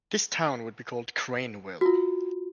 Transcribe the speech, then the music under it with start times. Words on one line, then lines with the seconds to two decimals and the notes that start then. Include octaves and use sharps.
This town would be called Crainville.
1.81 F4 F#4